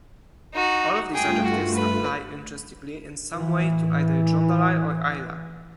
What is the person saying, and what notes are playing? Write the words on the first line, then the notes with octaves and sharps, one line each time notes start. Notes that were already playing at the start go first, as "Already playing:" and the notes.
All of these adjectives apply, interestingly, in some way to either Jondalar or Ayla.
D#4 F#4
G2 A3 F4 G#4 G5
F#4
B4
A2 E3